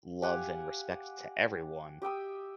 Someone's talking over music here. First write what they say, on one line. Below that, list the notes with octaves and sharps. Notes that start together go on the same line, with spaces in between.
love and respect to everyone."
G4 F5 F#5 G#5
G4 E5 G5 D#6